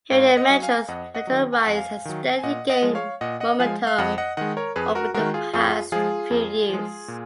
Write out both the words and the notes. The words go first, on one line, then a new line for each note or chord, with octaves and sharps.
Harian Metro's meteoric rise has steadily gained momentum over the past few years.
G#2 C#5 F5
D#5 F#5
F#3
F5 G#5
F2 D#5 F#5
D#5 F#5
D#3 F#3
G#5
F2 F#5
F5 G#5
D#3 F#3
G#5
A#2 D#5 F#5
D#5 F#5
F3 G#3
C#5 F5
A#2 D#5 F#5
D#5 F#5
F3 G#3 F5 G#5
F5
F2 D#5 F#5
D#5 F#5
D#3 G#3 D#5 F#5
A#4 C#5
F2 G#4 B4
F#4 A#4
D#3 G#3 F#4 A#4
F4 G#4
F2 F4 G#4
F3 G#3 F4 G#4
F2
F3 G#3
A#2